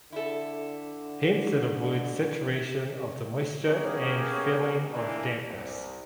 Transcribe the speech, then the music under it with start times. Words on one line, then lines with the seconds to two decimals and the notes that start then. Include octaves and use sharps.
Hence it avoids saturation of the moisture and feeling of dampness.
0.12 D3 E4 A4
3.62 A#3 B3 C#4 G4 G#4 C#5
4.92 A#2 E3 D4
5.47 C2